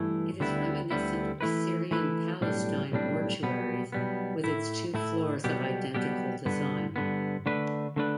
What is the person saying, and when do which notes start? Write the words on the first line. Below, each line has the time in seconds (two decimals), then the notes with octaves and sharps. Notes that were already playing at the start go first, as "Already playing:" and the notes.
It is reminiscent of Syrian-Palestine mortuaries with its two floors of identical design.
Already playing: G2 E3 A3 E4
0.40 D2 D3 G3 B3 E4
0.90 D2 D3 G3 B3 E4
1.41 E3 A3 E4 B4
1.91 E3 A3 E4 B4
2.41 B1 A2 G3 D4
2.92 B1 A2 G3 D4
3.43 B1 B2 G3 B3
3.92 B1 B2 G3 B3
4.44 A2 A3 E4
4.94 A2 A3 E4
5.44 B1 B2 G3 B3 G4
5.94 B1 B2 G3 B3 G4
6.46 G2 D3 B3
6.96 G2 D3 B3
7.46 D3 A3 D4 B4
7.96 D3 A3 D4 B4